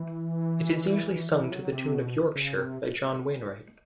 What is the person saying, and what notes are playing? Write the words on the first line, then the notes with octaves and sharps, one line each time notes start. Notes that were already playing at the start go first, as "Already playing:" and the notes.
It is usually sung to the tune "Yorkshire" by John Wainright.
Already playing: E3
E3
F#3
C3
B2
C#3
C3